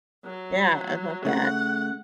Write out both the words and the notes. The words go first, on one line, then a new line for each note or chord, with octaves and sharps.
Yeah, I love that.
F#3
C#3 A3 F#5